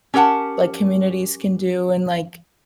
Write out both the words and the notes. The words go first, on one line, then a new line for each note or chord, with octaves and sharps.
like, communities can do and, like,
C#4 G4 A#4 F#5 A5